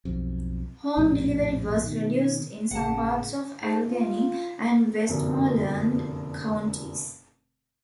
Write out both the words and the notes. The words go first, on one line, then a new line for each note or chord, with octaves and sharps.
Home delivery was reduced in some parts of Allegheny and Westmoreland counties.
B1 F2
A#1 F2 A2 C3
B2 D#3
G#1 A2 C#3 A3 G#4 F#5 A5
G#2
F4
F1 F#2 B2 D3